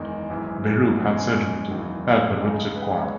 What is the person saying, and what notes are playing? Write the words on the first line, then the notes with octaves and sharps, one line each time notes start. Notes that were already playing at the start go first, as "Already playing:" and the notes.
Berube had surgery to help her ruptured quad.
Already playing: F#1 E2 D#3 G#3 D#4
G#1 F#2 E3 G#3
E2 B2 G#3 C#4
F#1 E2 D#3 F#3
C#2 C#3 G#3 D#4
G#4
B4
C#5